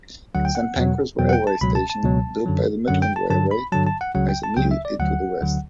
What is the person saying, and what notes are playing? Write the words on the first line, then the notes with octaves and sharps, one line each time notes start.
Saint Pancras railway station, built by the Midland Railway, lies immediately to the west.
D2 D3 F#3 F#5
G5
F#5
E2 B2 F#3
E2 B2 F#3 G5
F#5
G5
A5
C#2 B2 F#3 B5
A5
A5
C#2 B2 F#3
F#2 D3 F#3
F#2 D3 F#3 F#5
G5
A5
G2 D3 F#3 A5
B5
G2 D3 F#3 A5
A5
F#5
C#2 C#3 F#3 F#5
G5
A5
C#2 C#3 F#3 G5
E5
D5
D2 D3 F#3 F#5
D2 D3 F#3